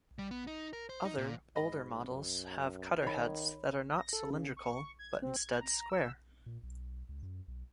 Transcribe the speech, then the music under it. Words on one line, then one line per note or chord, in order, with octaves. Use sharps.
Other, older, models have cutter heads that are not cylindrical but instead square.
G3
B3
D#4
A#4
C5
D#4
A#2
G#2 D#5 B5
F#2
D#3 C#5 B5
A#6
A4
C#3
C#6
G#6
C4
G#6
A#5
E6
A#2
B1
C#2
F#2
B1